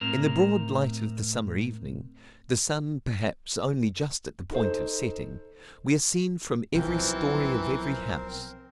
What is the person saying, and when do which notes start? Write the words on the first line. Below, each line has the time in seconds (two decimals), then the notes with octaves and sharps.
In the broad light of the summer evening, the sun, perhaps, only just at the point of setting, we are seen from every story of every house.
0.01 A2 C4 A#4
4.50 D#4 A4 C5
6.75 B1 E3 F3 C4 A#4 C5